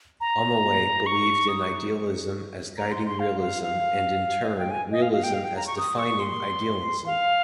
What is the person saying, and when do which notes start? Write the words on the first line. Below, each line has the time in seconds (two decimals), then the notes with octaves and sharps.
Omowaye believed in idealism as guiding realism and in turn, realism as defining idealism.
0.21 A#5
1.06 C#6
1.48 D#6
1.63 C#6
2.78 A#5
2.92 C6
3.06 C6
3.20 F5
3.41 F5
3.63 F5
4.44 D#5
4.48 F5
4.59 G5
4.71 G#5
4.92 D#5
5.02 F5
5.13 F5
5.23 G5
5.34 F5
5.44 G5
5.56 A#5
5.67 C#6
5.78 D#6
5.99 C#6
6.20 C6
7.06 F5